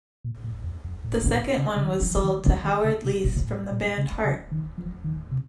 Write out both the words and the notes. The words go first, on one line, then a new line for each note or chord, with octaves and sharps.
The second one was sold to Howard Leese from the band Heart.
A#2
A2
F2
F#2
A2
A#2
C#3
C#3
D#3
F3
F3
D#3
C#3
D#3
C#3
C3
A#2
A2
A#2
C#3
C#3
D#3
F3
D#3
C3